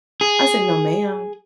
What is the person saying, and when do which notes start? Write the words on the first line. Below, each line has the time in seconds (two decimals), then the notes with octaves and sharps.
I said, "No, ma'am."
0.21 G#4